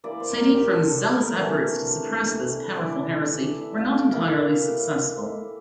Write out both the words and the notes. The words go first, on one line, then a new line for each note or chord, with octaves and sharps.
Saint Ephrem's zealous efforts to suppress this powerful heresy were not entirely successful.
E3 A#3 E4 D5
C5
A#4
G4
A4
A4
A#4
C3 E3 A3 D4
E3 A3 E4 D5
D5
E5
F5
G5
A2 E3 A#3 E4 F5